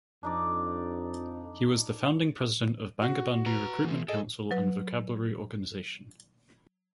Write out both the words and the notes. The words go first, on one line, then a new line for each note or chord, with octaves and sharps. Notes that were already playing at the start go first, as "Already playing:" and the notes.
He was the founding president of Bangabandhu Recruitment Council and vocabulary organization.
F2 D4 D#4 D5
F#4
B4 A#5
E3 A3
G#4 A4 D#5
F#3 B4